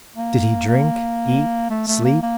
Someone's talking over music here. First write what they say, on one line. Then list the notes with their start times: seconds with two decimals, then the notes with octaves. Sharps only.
Did he drink, eat, sleep?
0.16 A#3
0.68 A#3
1.70 A3
1.87 A3
2.05 A#3
2.22 A#3